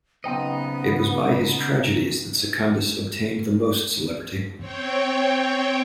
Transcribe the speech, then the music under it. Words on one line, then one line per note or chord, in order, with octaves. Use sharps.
It was by his tragedies that Secundus obtained the most celebrity.
B1 C#3 B3 C4 D#4 C5 D#5
C4 C#5 G5